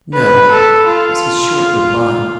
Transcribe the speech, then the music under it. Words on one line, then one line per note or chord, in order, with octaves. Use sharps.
"No," was his short reply.
B4
A4
F4